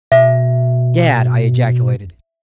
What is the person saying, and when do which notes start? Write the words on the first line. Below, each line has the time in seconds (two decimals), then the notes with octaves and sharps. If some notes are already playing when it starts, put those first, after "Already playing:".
"Gad!" I ejaculated.
0.12 B2 E5